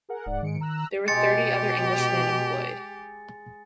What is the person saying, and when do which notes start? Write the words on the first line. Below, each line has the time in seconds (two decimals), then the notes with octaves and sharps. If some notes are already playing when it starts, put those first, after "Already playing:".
There were thirty other Englishman employed.
0.09 G#4 A#4 F#5
0.26 D1 G#2 D5 F#5
0.42 G#2 D#3 C#7 D7
0.61 A#5 E6 F#6
1.08 B2 G#3 G4 A6 C#7